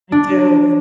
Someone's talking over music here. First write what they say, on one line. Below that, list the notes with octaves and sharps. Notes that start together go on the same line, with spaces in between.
I do.
D4